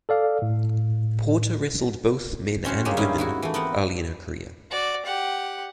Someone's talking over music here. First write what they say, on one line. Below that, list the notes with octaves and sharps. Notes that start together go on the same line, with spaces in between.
Porter wrestled both men and women early in her career.
A4 D5 F5
A2
C4 C#4 F#4 C5
C#3 G#3 A#3 C#4 G4
G2 C#4 D#4 E4 F5
G#2 E4 F#4
E3 A3
B3 C4 A#4 F#5
F#4 D5
G4 F#5